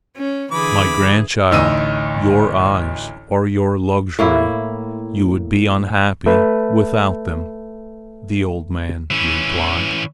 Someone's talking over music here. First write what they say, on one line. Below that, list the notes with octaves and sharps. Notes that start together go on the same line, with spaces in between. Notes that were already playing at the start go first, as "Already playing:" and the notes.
"My grandchild, your eyes are your luxury! you would be unhappy without them!" the old man replied.
C#4
D3 E3 G#4 B5 D6
A1 D2 D#4 E6 D#7
A2 A#3 E4
A3 B4
E3 C#4